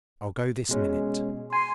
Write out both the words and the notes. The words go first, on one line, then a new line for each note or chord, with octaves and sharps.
I'll go this minute.'
B2 G#3 C#4
G#5 C6